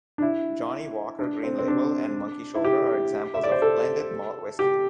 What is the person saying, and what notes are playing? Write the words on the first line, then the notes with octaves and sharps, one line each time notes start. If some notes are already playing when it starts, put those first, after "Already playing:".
Johnnie Walker Green Label and Monkey Shoulder are examples of blended malt whisky.
D4
E4
D4
C4
C4
D4
E4
G4
E5
D5
C5
A4
G4